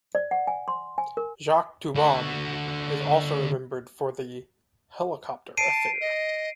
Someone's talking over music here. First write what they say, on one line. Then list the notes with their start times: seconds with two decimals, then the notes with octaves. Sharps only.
Jacques Toubon is also remembered for the "helicopter affair".
0.15 D5
0.31 F#5
0.47 G#5
0.68 C6
0.98 G#5
1.17 A#4
1.95 D3 F#4
5.57 A5 C7 D7 D#7
6.01 D#5